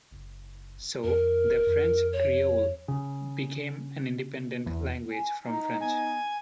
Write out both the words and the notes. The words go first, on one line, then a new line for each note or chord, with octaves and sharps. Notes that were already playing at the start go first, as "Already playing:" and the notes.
So, their French creole became an independent language from French.
F#1
F2 A#4
G1
F2
C#5
C#3
E2
G#5
D#4 A#5
B3 G#5